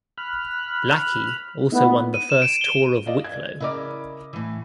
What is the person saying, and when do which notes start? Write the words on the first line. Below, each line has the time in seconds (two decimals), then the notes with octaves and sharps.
Lackey also won the first Tour of Wicklow.
0.18 B5 F6 F#6
1.72 A3 B3 D#4 E4
2.14 D#7
2.30 E7
2.42 D7
2.61 G7
3.06 D5 D#5 F5
3.24 G#6
3.60 C#3 E4 A#4 D5 D#5 D6
4.33 A2 E3